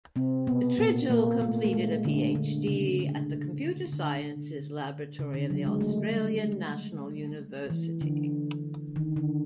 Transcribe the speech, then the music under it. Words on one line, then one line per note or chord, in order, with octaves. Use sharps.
Tridgell completed a PhD at the Computer Sciences Laboratory of the Australian National University.
C3 C4
B2 B3
A#2 A#3
A#2 A#3
A3
A3
G#3
D3
D3
C#3
D3
D3
C#3
D3
F#3
G#3
A3
G3
E3
D3
D#3
D3